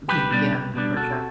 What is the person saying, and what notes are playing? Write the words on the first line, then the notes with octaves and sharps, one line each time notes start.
Okay, yeah, for sure.
C2 G4 B4
B2 G3 B3 D4
C2
B2 G3 B3 D4
B2 F#4 A4